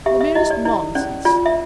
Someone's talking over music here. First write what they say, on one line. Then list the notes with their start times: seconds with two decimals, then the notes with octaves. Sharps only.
'The merest nonsense.'
0.06 G4 E5
0.21 E5
0.35 E4 D#5
0.51 D5
0.65 E4 D5
0.95 C#4 D5
1.25 F4 D5
1.46 E5